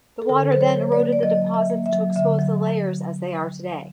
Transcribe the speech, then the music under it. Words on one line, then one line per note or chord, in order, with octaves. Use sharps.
The water then eroded the deposits to expose the layers as they are today.
A4
D3 A#4
F#3 C5
C#5
A#3
D5
A#3
D5
F#3 D#5
F#3
E5
A#3
E5
F#3
D3 E5
F#3